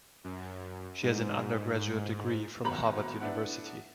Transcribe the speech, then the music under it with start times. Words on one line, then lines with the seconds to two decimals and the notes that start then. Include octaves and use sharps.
She has an undergraduate degree from Harvard University.
0.24 F#2
1.02 G#2
2.64 F#1 B2 D#3 A#5 B5 F#7
3.20 B3 D4 E4 F#5